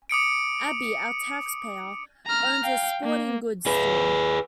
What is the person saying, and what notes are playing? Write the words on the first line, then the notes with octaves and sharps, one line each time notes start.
Abby, our taxpayer, owns a sporting goods store.
D6 D#6 C#7 D7
A#5 F6
F5 G5
A#3
G#4 B4